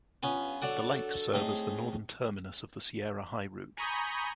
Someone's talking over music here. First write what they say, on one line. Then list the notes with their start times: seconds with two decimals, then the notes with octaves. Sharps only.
The lakes serve as the northern terminus of the Sierra High Route.
0.23 G2 B3 C#4 F4
0.62 F#3 D4 F#4 A4 D5 F#5
1.34 A2 C4 D#4 G#4
3.77 G#5 A#5 B5 C#6 D#6 G6